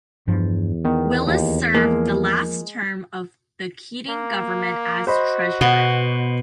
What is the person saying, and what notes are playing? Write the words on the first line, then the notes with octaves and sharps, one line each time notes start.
Willis served the last term of the Keating government as Treasurer.
E2 G2 F3
D#3 B3
D#2
F3 G#3 A#3
A#3
F#4 C5 D#5 B5
B2 B3